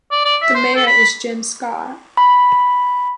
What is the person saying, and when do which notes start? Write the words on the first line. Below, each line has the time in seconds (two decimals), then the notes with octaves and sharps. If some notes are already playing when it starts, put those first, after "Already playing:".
The mayor is Jim Scott.
0.11 D5
0.25 D5
0.41 E5
0.55 C5
0.76 A4
0.87 B5
2.17 B5